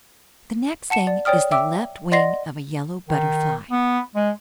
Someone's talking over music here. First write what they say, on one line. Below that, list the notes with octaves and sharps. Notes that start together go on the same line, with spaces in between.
"The next thing is the left wing of a yellow butterfly."
F#5 A5 C#7 E7
D5
C#5 D5 G5 D#6 F6
E5 G5 D6 E6
D5 D#5 F#5 C6 A#6 C7
D#3
B3
G#3